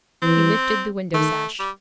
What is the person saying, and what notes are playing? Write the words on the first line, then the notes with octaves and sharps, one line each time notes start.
He lifted the window-sash.
E3 C4
D#3 A3
G3